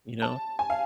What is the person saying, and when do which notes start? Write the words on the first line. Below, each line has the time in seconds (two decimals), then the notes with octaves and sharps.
you know?
0.22 A5
0.59 G#5
0.70 F5